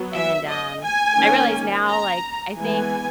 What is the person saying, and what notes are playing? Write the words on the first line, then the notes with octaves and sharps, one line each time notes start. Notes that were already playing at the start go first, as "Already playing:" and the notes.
And, um, I realized now, like, I think,
Already playing: F#3 B3
E5
D#5
G#5
D#3 A#3 C#4
A#5
E3 G#3 B3 G#5